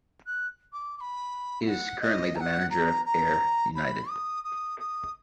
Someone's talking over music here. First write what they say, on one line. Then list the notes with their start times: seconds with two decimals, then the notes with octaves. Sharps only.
He is currently the manager of Ayr United.
0.26 F#6
0.72 D6
0.97 D6
1.00 B5
1.66 F#5
2.01 D#5
2.35 A#5
2.40 F#5
2.70 A#5
3.05 A#5
3.75 B5
4.09 D#6
4.44 D#6
4.79 D#6